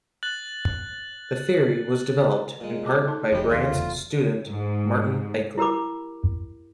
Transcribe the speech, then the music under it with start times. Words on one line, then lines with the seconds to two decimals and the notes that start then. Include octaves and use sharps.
The theory was developed in part by Brandt's student Martin Eichler.
0.23 F#6 A6 F#7
2.61 A#2 G#3
2.86 F#4 A4 D6
3.08 D#4 A4 A5
3.32 F1 F3 G#3 D4 F#4 G4 C#5
3.50 D#2 C#4 F4 A4 D5
3.72 F1 E2 A3 C5
4.49 G#2
5.58 E4 G4 A#4 B5 D6